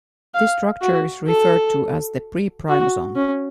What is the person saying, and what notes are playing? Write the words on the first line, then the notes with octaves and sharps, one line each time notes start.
This structure is referred to as the pre-primosome.
F5
F#4
A4
F#4
C#4